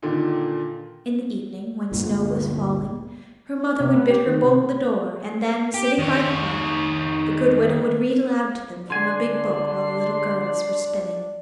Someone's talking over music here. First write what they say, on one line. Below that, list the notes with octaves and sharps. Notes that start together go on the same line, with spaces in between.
In the evening, when snow was falling, her mother would bid her bolt the door, and then, sitting by the hearth, the good widow would read aloud to them from a big book while the little girls were spinning.
A#2 D3 D#3
G1 D2 A#2
C3
B3
G4
D#3
C3
G4
D#3 C#5
D3 D4 G#5 C6